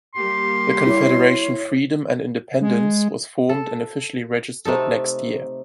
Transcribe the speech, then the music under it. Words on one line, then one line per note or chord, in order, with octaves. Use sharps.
The Confederation Freedom and Independence was formed and officially registered next year.
G3 A#3 G4 C6
E4 C#5
G#3
A4
C3 A3 D#4 A4